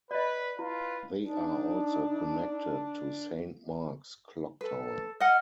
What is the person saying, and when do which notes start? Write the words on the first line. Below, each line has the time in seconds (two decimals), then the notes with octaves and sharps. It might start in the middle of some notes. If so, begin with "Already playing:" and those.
They are also connected to Saint Mark's Clocktower.
0.11 B4 D5 D#5
0.59 E4 F4 B4
1.24 D4 D#4
4.61 A4 B4
5.20 D#5 F#5 F6